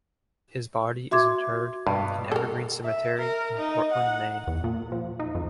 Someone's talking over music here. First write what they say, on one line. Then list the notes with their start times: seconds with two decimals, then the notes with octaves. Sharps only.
His body is interred in Evergreen Cemetery in Portland, Maine.
1.11 F#4 E5 C6 D6 G#6
1.87 G2 B2
2.32 A4 A#4
2.84 E5
3.19 A#4
3.57 D#4
3.93 F#5
4.47 E2
4.64 A#2
4.92 F3
5.19 D#4
5.35 F2